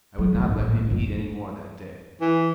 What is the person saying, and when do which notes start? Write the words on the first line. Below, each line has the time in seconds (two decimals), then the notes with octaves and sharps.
I would not let him eat any more that day.
0.18 F#3
0.32 C2 A3
0.46 A1 G#2
0.60 A#3
0.76 C2
0.91 F2
2.21 E3